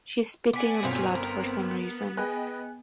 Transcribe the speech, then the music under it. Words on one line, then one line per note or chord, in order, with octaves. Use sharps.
She's spitting up blood, for some reason.
B3 D5 F#5 G#5 D6 B6
G1 B2 C4 C#4 F4
B3 A#4
G#4 B4 D#5 G5 G#5 F#6